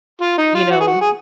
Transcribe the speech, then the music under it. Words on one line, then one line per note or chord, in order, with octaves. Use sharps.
you know
F4
D#4
F4
F#4
G#4
F#4
G#4